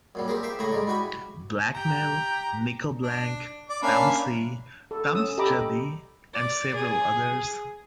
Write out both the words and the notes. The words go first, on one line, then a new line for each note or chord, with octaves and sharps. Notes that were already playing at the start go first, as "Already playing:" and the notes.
Blackmail, Nico Blank, "Tamsi" Tamsjadi, and several others.
F#2 A#2 G3
C4 G4 G#4 A#4
G4 E5 F5 G5
A2 C#3 A3 E4 G#5 A#5
G3 G#3 D5
E4 F#4 G4 G#5 B5
G4 A#5
D4
D5 D6
A#3 C#4 D4 E5 F5 B5
A4
C#4 D#6 E6
G4 A4 D#5 A#5 B5 D6
D5
G#4